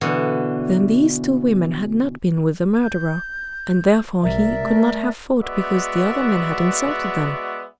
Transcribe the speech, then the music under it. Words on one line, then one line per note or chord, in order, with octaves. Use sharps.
Then these two women had not been with the murderer, and therefore he could not have fought because the other men had insulted them.
B2 D3 E3
G6
C2 A#4 D5 E5
A3
G#3 B3 F#4 D5 E5